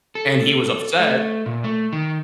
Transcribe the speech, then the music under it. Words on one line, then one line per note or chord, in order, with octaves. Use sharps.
and he was upset
A4
A3
A#2
A3
D#3